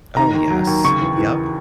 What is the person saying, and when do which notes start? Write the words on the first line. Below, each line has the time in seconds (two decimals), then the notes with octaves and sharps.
Oh, yes. Yep.
0.17 D#3 A#5
0.34 D#2
0.50 F#3
0.67 D#2
0.84 C#3 C#6
1.02 E2
1.17 E3